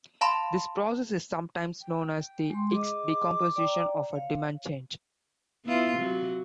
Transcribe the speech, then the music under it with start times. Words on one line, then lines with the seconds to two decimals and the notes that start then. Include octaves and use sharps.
This process is sometimes known as the Hicks decomposition of a demand change.
0.21 F5 A5 B5 C6
1.81 G5
2.50 G#3 C6
2.71 G#4 D#5 D6
3.56 D5 G5 A#5
4.11 C#5 F5
5.65 B3 E4 F4
5.96 C3 F#3